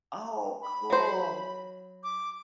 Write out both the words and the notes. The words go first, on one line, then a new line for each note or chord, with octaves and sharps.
Oh, cool!
B5
F#3 C5
D6